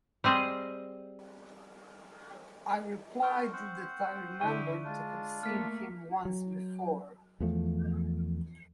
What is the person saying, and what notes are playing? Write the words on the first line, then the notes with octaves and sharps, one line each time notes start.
I replied that I remembered to have seen him once before.
G3 C4 G#4 C5 D#5
A4 G5 C6 C#6 F6
C4 C5 F#5
D3 E4 C#6 D#7
G#3 D4 F4
A3 A#3 F6 B6
F#3
E2 F3 A3